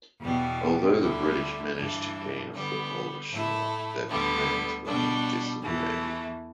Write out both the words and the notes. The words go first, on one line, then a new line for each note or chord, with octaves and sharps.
Although the British managed to gain a foothold ashore, their plans were in disarray.
E2 B2 G3
D2 D3 G3 E4
G2 E3 G3 D4
D3 G3 B3
A2 A3 E4
D2 D3 G3 B3
B2 G3 D4
E2 E3 A3